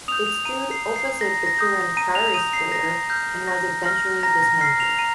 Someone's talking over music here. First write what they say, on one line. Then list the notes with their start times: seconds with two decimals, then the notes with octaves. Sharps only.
It stood opposite the current Priory Square and was eventually dismantled.
0.08 D#6 G6 F7
0.27 F7
0.45 A#5 D#7
0.71 C7
0.83 D#6 G6
0.96 C7
1.21 A#5 A#6
1.46 A#6
1.59 D#6 G6
1.97 A#5 D#7
2.15 F7
2.34 D#6 G6 D#7
2.53 C7
2.72 A#5 A#6
3.10 F6 G6
3.47 A#5 A#6
3.86 F6 A#6
4.23 A#5 A#6
4.42 A#6
4.61 F6 C7
4.80 F7
4.99 A#5 D#7